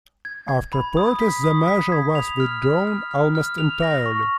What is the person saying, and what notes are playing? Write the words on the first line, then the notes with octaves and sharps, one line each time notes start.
After protests the measure was withdrawn almost entirely.
G#6
G#6
B5
D#6
B6
D#6
B6
G#6
F7
F6
F6
F6
F6
F6
F7
A#6
C#6